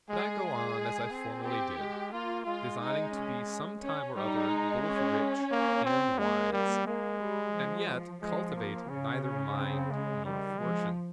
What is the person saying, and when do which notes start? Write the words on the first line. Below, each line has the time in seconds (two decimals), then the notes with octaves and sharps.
But I go on as I formerly did, designing to be some time or other both rich and wise; and yet cultivate neither mind nor fortune.
0.09 G#3 G#4
0.43 G#3
0.77 G#3
1.11 C4
1.44 C4 G4
1.79 G#3
2.13 A#3 F4
2.46 G#3 F4
2.81 D#4
3.15 C#4
3.82 C#4
4.15 G3 D#4
4.49 G#3
4.83 C#4
5.51 A#3
5.85 C4
6.18 G#3 A#3
6.53 G3
6.87 G#3 A#3
7.20 G3
7.54 F3
8.22 F3 G#3
8.56 A#3
8.89 C#3 C#4
9.23 C#4
9.57 C4
9.91 G#3
10.25 D#3 G3
10.59 F3 G#3